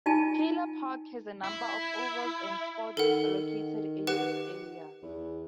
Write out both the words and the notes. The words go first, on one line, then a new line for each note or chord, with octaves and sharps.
Keilor Park has a number of ovals and sports located in its area.
D#4 F4 G#5 A5
E4
D#3 A4 A#4 F#5
G4 B4 F#5
E2